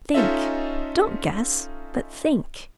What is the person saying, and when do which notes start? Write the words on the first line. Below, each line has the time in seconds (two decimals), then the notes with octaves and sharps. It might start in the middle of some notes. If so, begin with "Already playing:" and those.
Think. Don't guess, but think.
0.14 C#4 D#4 F4 A4 D#5 E5